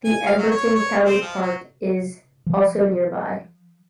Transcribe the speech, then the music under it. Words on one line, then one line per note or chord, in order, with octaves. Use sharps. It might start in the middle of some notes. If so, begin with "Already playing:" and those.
The Emberton Country Park is also nearby.
G#5
F5
F#3
C#5
C#5
C4
F3
F#3
F3